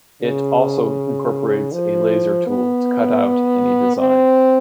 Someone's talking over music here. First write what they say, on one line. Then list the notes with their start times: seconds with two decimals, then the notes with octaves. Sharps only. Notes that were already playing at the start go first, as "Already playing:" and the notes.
It also incorporates a laser tool to cut out any design.
0.22 C#3
1.72 F3
2.47 B3
3.97 C4